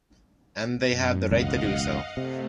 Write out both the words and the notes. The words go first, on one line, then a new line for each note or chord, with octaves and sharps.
And they have the right to do so.
F#2
E1 C#2 D#5 F5 F#5
C3 A3